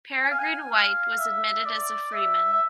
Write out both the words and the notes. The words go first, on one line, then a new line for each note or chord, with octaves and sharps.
Peregrine White was admitted as a Freeman.
G#5
F5
G#5
F5
E5
D5
E5
E5